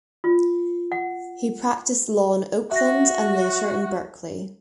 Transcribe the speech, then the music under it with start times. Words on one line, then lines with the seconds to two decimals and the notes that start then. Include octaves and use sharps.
He practiced law in Oakland and later in Berkeley.
0.24 F4
0.92 F#5
2.71 F#4 E5 A#6